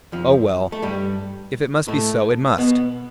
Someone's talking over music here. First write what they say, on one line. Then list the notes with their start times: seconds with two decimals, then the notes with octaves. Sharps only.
"Oh, well, if it must be so, it must!"
0.12 F2 F3
0.72 A3
0.82 G2 G3
1.88 A2 A3
2.58 B2 B3